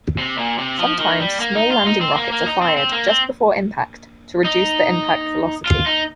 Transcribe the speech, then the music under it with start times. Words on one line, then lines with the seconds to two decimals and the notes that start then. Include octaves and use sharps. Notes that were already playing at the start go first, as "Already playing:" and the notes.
Sometimes small landing rockets are fired just before impact to reduce the impact velocity.
0.18 C3
0.38 A#2
0.58 C3
0.79 F3
0.99 D#3
1.20 G3
1.40 A#3
1.56 D#4
1.71 F4
1.86 D#4
2.01 C4
2.16 A#3
2.32 A#3
2.46 D#4
2.62 C4
2.77 C4
2.92 A#3
3.08 C4
4.45 D#4
5.66 F4
5.86 D#4